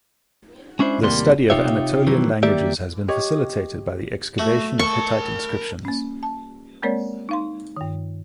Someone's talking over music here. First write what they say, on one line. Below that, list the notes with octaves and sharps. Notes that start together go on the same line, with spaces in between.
The study of Anatolian languages has been facilitated by the excavation of Hittite inscriptions.
G#3 C#4 D4 E4 C5
D#2 A2 C3 G3 A#3 C6
C3 D#4 F4 G4 C#5 E5
G2 D#3 E3 F#3
D#3 G3 A#3 G4 D5 E5
G4 C#5 D#5
A3 F#4
A#4 A5 C#6
A#3 C#4
A5
G#3 A#3 C4 A#4 C#5 D5
D#4 F5 C6
G2 D#3